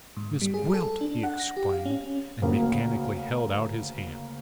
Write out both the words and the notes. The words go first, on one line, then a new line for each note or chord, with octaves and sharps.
"Miss Gwilt!" he exclaimed, and mechanically held out his hand.
G#2
G3
G#4
A4
D4
F#5
A#6
G4
F5
C#4
D2 C#3 A#3